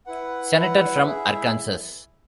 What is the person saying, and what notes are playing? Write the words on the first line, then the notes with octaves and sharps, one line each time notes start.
Senator from Arkansas.
E4 B4 F#5
E4 B4 F#5
E4 G#4 E5